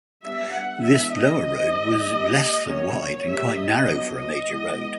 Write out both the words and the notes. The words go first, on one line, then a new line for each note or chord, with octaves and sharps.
This lower road was less than wide and quite narrow for a major road.
G3 B3 D4 E5
F#5
E3 G#3 B3 D4 E5
D#5
D#3 G3 C4 D#5
G3 A#3 D4
F#3 A#3 C#4 C#5
G3 A#3 D4 E5
D#5
F#3 B3 D4
D#5
E3 G#3 B3